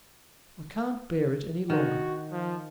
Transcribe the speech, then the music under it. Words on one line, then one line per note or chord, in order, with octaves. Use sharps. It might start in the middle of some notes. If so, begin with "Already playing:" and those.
I can't bear it any longer.
D#3 F#4
F3